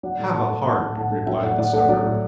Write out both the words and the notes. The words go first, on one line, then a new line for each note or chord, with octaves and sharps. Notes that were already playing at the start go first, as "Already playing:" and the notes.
"Have a heart," replied the sufferer.
F#3 D5 F#5
A2
A2 F#5 A5
A3
F#3 F#5 A5
A2
A2 F#5 A5
A3
F#3 E5 G5
A2 D5 F#5
A2 D5 F#5
A3 D5 F#5
F#3 D5
A2